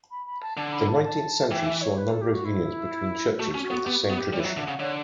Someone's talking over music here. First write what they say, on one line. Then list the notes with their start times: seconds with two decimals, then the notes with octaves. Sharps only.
The nineteenth century saw a number of unions between churches of the same tradition.
0.11 B5
0.26 B5
0.41 A5
0.57 D3 A5
0.73 B5
0.89 A5
1.04 A5
1.51 E3 G5
1.66 E5
1.82 C#5
1.98 B4
2.10 A4
2.22 G4
2.34 F#4
2.45 E4
3.39 A3 F#4
3.54 C#4
3.62 F#4
3.70 B3
3.85 B3 G4
4.02 F#4
4.10 B3
4.16 G4
4.33 G3 C#5
4.40 E3
4.44 F#3
4.49 E5
4.57 D3
4.63 C#3 F#5
4.79 D3 C#5